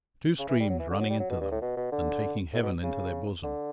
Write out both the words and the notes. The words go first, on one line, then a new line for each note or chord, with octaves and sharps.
Two streams running into them and taking heaven into their bosom.
C#3
E3
G3
F#3
E3
D3
F#3
G3
F#3
B2
G2
A2
B2
B2
D3
A2
B2
C#3
D3